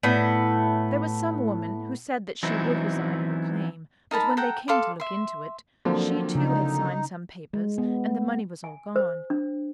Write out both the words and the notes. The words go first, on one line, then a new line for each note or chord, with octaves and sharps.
There was some woman who said that she would resign her claim; but when they came to look into it, she too had signed some papers and the money was all gone.
A2 B3
E3 F#3 B3 C4 D#4 E4
D#4 A#4 A5 B5
A4 F#5 G5 A#5
A4 F5 C6 D6
E5 C6
D3 F3 F#3 A#3 C4
C#3 D#4
G#3
B3
G#5
C5
D4